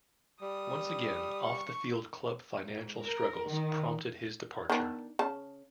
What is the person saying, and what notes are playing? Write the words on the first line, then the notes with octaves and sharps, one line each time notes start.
Once again off-the-field club financial struggles prompted his departure.
G3 D#6
C#6
G#2
A#4
D#3
D#3 B3 D4
C#3 A5